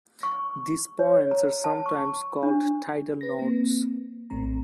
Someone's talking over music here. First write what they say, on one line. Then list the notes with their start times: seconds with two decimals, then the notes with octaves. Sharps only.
These points are sometimes called tidal nodes.
0.23 C#6
0.99 C#5
1.31 A#5
1.64 A5
1.86 C#6
2.43 D4
3.21 B4 A#6
3.39 A#3 C4
4.30 A#1 A2 A3 C4 A#5